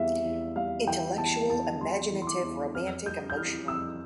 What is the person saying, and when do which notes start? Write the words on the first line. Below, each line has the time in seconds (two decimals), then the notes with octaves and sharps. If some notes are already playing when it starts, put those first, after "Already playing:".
Intellectual, imaginative, romantic, emotional.
Already playing: E2 E3 G3 E5 F5
0.25 E2
0.56 G3 F5
0.87 E3 G5
1.18 E2 A5
1.50 E2 A5
1.81 G3 C6
2.12 E3
2.22 C6
2.27 D6
2.43 E2
2.74 F2 F6
3.06 G3 G6
3.30 G6
3.37 E3 F6
3.68 F2 E6